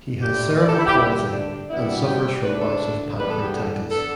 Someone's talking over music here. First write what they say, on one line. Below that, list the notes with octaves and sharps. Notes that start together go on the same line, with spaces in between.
He has cerebral palsy and suffers from bouts of pancreatitis.
D2 D3 A3 D4 G4
D5
A4
G4
E4
G4
D2 D3 G3 D4 E4
G4
D4
B2 G3 B3 D4 E4
G4
D2 D3 A3 D4 B4
A4
E2 E3 G3 B3 D4 B4
A4
G4
A4
D3 B3 D4 A4